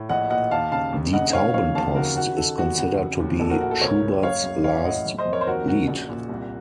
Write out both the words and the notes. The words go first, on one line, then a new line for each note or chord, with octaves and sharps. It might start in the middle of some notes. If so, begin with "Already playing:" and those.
"Die Taubenpost" is considered to be Schubert's last Lied.
Already playing: A2
A#1 D#5 F#5
A#2 D#5 F#5
D#2 F5 A5
C#3 F5 A5
D#2
C#3 D#5 F#5
D#5
D#3 C#5 F5
F2 C#5 F5
D#2 F5 A5
C#3 F#4 A#4
D#3 F#4
D#3 A4
D#2 F#4
C#3 F#4
F1
D#2
A#1 A4
F#4 A#4
A2 F#4
A4
C#2 A#4 C#5
C#3
F#1 C#5 F5
F#2
A1 C#5 F5
A2 D#5 F#5
F#1
C5 D#5
F2
A#4 C#5
C5
D#2 F#4 A#4
C#3 F#4
A#1
A#2
C2